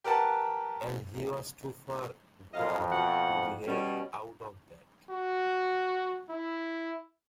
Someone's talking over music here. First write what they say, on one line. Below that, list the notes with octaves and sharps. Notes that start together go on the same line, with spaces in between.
And he was too far gone to be helped out of that.
G4 A#4 B4 F#5 A5
F2 F#3 D#5 F5
B2 F3 F#5
B2 G3 C#4
F#4
E4